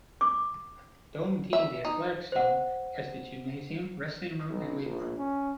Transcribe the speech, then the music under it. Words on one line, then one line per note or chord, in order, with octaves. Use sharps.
Dome D, the athletics dome, has the gymnasium, wrestling room and weight room.
D6
E5
D#4
C5 F#5
B1
A#1
C#4